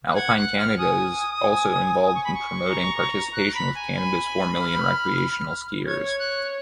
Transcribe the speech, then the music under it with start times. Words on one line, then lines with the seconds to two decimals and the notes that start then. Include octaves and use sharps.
Alpine Canada is also involved in promoting participation within Canada's four million recreational skiers.
0.10 F#6
0.15 F#5 G#6
0.37 F#6
0.58 F6
0.78 G#5 D#6
1.43 G#5
2.06 D#6
2.15 C#6
2.24 B5
2.34 C#6
2.70 A#5
3.33 F#6
3.54 B5
3.75 G#5
3.97 B5
4.60 F6
5.87 C#5 G#6
6.07 G#6
6.19 F#6